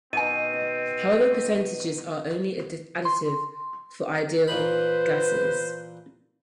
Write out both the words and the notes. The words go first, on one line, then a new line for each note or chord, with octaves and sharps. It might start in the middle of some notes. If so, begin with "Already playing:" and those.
However, percentages are only additive for ideal gases.
B2 D#3 C4 D#5 G#5 D#7
C6
A#2 E3 B4 C5 B5